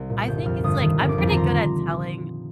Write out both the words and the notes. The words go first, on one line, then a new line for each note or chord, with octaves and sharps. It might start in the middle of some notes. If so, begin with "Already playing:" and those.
I think it's, like I'm pretty good at telling,
Already playing: C2
A#2
G1 G6
F2 F6
G1 D#6
D#3
G1
D6
F2
A#5
C6